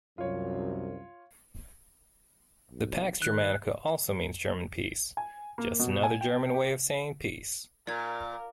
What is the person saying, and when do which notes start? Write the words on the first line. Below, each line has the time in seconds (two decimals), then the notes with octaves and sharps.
The "Pax Germanica" also means 'German peace', just another German way of saying peace.
0.18 C2 F#2 F4 C#5
2.71 B1
3.22 D#3 F#6
5.17 G#5
5.58 A#3
5.79 B2
6.04 G#5
6.21 G5
6.54 G4
7.87 A#2 A#4 D5 G#6